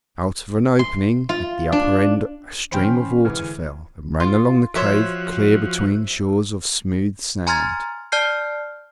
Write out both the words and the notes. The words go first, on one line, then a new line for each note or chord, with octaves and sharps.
Out of an opening at the upper end a stream of water fell, and ran along the cave clear between shores of smooth sand.
C6
F4
D4
C3 E3 C#4 C5 G5 B5 C6 F6
G#2 C3 E3 F6
D3 G#5
F4
F3 F#4 C5 C#5 E5
G#5 A#5 C6 F6 G#6 A6
D5 A5 F6 G6 C7